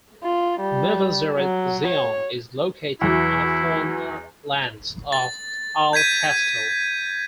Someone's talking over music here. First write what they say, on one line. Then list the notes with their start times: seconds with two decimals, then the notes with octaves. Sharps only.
Mevaseret Zion is located on the former lands of Al-Qastal.
0.23 F4
0.61 G3
1.38 F#3
1.87 C#5
3.01 E2 E3 F#3 E4
5.12 A6
5.93 G6 G#6 B6 D#7